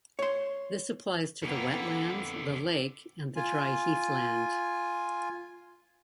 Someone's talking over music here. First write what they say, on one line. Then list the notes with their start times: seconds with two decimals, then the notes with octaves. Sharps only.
This applies to the wetlands, the lake and the dry heathland.
0.19 C#5 C6
1.42 F2 D3 A#3 B3
3.36 F4 G#5